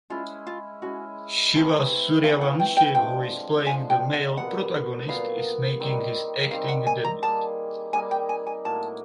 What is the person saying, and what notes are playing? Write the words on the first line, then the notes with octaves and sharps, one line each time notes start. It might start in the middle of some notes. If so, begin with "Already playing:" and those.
Shiva Suryavanshi who is playing the male protagonist is making his acting debut.
G#3 C#4 E4 F4
F4
G#3 C#4 E4 F#4
E3 A3 C4 E4
E3 A3 C4 E4 F5
F#5
G5
G5
D3 F3 G#3 G5
D3 F3 G#3 G#5
G5
F#5
A#2 F#3 B3 F#5
A#2 F#3 B3 F5
D#3 G3 C4 D#4
D#3 G3 C4 D#4 F5
F#5
G#5
A#5
G3 A#3 D#4 G#4 A5
G3 A#3 D#4 G#4 G#5
G5
G#5
G#5
A2 F#3 A#3 A5